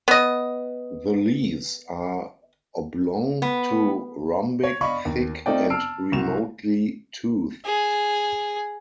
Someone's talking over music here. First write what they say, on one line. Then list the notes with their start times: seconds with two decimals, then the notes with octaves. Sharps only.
The leaves are oblong to rhombic, thick, and remotely toothed.
0.08 B3 D#5
3.42 B3
4.64 C#5
4.81 D5 D#5 F5 B5 C#6
5.05 D#2
5.46 A3 C4 D#4 F4 D5 G5
5.70 A5 E6 F6 C7 D7
6.12 C2 F#4 E7 F7
7.65 G#4